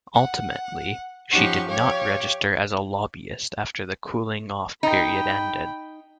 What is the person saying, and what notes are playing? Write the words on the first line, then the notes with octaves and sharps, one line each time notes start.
Ultimately, she did not register as a lobbyist after the cooling off period ended.
F#5
F3 C#4 D#4 G4 F#5 C#6
G4 C#5 F5
D#4 G5 B5